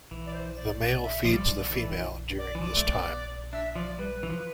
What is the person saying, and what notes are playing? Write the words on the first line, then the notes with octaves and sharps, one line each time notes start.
The male feeds the female during this time.
E3
D5
C5
D5
D5
E5
F3 D5
G3
F3
E3
D5
E3
F3 D5
A3
B3
D4 E5
F3 D5
G3 B4
E3
F3